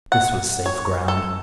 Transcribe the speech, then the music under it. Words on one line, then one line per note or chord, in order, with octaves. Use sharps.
This was safe ground.
F#5
C#5
A4